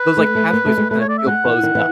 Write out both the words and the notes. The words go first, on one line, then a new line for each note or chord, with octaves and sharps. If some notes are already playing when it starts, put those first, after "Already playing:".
Those, like, pathways are kinda feel closed up.
Already playing: B4
A3
A3
A#3
A3
G#3
A3 B4
C#5
D5
E5
G#3 F#5
E3
D#3
E3